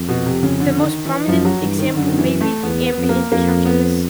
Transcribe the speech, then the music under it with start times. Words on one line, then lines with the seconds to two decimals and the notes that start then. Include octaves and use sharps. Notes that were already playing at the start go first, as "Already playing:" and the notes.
The most prominent example may be the ambient calculus.
Already playing: F2
0.09 B2
0.26 C3
0.43 C#3
0.60 D3
0.78 D3
0.83 D#3
1.05 E3
1.28 F#2 F3
1.45 F#3
1.62 G2 E3
1.79 D#3
1.96 F#2 D3
2.08 D#3
2.18 E3
2.41 A3
2.63 E2 B3
2.86 B3
2.98 F2
3.03 B3
3.09 A#3
3.32 F2 A#3
3.65 B3